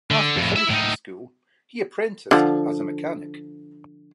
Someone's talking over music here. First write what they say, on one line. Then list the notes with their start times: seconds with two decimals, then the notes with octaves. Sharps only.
After finishing school he apprenticed as a mechanic.
0.11 D3
0.36 F2 A2
0.56 E4 E5
0.70 A2 D#4
2.31 D3 F3